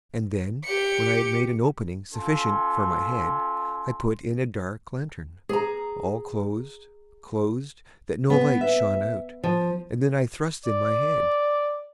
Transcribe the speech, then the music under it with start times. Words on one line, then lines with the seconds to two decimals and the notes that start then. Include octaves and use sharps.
And then, when I had made an opening sufficient for my head, I put in a dark lantern, all closed, closed, that no light shone out, and then I thrust in my head.
0.64 G4 C#7
2.12 C#4 F4 A4 C6
5.49 G#4 A#5
8.30 B3
8.61 E5
9.44 F3
10.65 D5